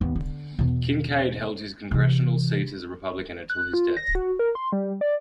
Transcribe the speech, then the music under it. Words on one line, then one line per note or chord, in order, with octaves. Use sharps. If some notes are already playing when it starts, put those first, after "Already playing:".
Kinkaid held his Congressional seat as a Republican until his death.
D#2 B3
D3
E2 B2
C3 E3
F#6
F4
A#6
F#4
A#4
C6
G3
D5